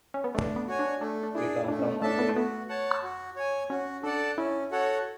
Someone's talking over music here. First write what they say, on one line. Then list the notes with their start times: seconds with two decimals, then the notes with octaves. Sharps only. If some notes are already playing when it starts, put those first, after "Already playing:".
We come from Alberic.
0.14 C#4
0.24 B3
0.35 A3 D4
0.56 B3
0.67 F#4 C#5 G#5
0.79 D4
1.01 A3 D4
1.23 D4
1.35 D4 E4 G#4
1.64 E4
1.68 A3 D4
1.79 C#4
1.85 B3
2.02 A3 D4 A4 E5 A5
2.19 B3
2.29 A3
2.36 B3 F#4
2.69 C#5 F#5 A5
3.03 F#4
3.36 C#5 G#5
3.70 C#4 F#4
4.03 D4 A4 D5 F#5 A5
4.37 C#4 E4
4.71 F#4 A4 C#5 F#5